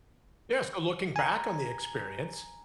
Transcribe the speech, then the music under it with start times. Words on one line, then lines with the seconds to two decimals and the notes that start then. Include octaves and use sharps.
Yes, so looking back on the experience,
1.16 G#5 A#5